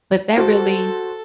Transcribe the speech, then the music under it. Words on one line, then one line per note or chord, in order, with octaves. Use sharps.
but that really
F#4 A4 C5